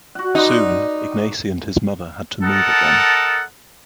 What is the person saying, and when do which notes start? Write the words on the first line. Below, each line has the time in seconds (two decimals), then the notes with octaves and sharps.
Soon, Ignacy and his mother had to move again.
0.15 F#4 F#5
0.35 D#4 B4 D5 C6
2.43 A4 A#4 D#5 F#5 A5